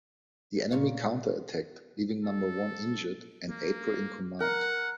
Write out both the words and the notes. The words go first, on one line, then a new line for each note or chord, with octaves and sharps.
The enemy counter-attacked, leaving Number One injured and April in command.
A#2 C#5 F5
A4
A#3
A#4 F#5